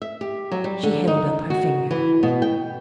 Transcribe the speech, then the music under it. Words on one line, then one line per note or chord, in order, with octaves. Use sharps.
She held up her finger.
E5
G4
F#3
G3
D3
D#4
F#4
E3
B2
G5